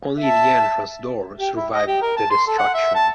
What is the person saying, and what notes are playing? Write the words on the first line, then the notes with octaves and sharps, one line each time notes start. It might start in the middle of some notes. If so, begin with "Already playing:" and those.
Only the entrance door survived the destruction.
E5 A5
G4
E4
D#5
G4
A#4
A5
C6
A4
F#5
E5
A5